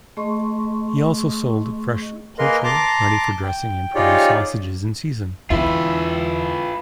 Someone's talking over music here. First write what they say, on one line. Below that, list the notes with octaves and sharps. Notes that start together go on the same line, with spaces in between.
He also sold fresh poultry ready for dressing and prime sausages in season.
A3 G#4 D#5 C6 C#6
A#3 G#4 A#4 B4 D#5 C6
A5 A#5 C6 D6
G5
D#4 F4 G4 G#4 C#5 D5
E2 E4 F4 B4